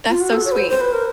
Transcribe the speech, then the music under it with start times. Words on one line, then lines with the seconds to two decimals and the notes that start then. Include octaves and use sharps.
That's so sweet.
0.09 F4
0.21 F#4
0.32 A4
0.45 C#5
0.52 B4
0.56 C5
0.69 C5
0.81 B4
0.93 A#4